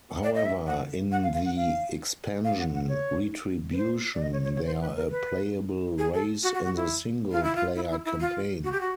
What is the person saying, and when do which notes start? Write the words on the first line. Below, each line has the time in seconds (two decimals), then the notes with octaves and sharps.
However, in the expansion "Retribution", they are a playable race in the single-player Campaign.
0.23 D5
0.35 D#5
0.46 E5
0.67 F#5
1.12 F#5
1.23 F5
1.34 F5
1.45 F#5
1.56 F5
2.44 F5
2.59 F#5
2.74 F#5
2.89 C#5
3.73 B4
3.77 C5
4.15 D5
4.22 D#5
4.33 C#5
4.44 C#5
4.55 C#5
4.66 C5
4.81 B4
4.95 A#4
5.10 B4
5.98 G#4
6.14 A4
6.43 F#4
6.54 F#4
6.65 F#4
6.76 E4
7.32 F4
7.43 E4
7.55 F4
7.76 E4
7.90 E4
8.05 E4
8.20 F4
8.64 F#4
8.72 G4
8.81 F#4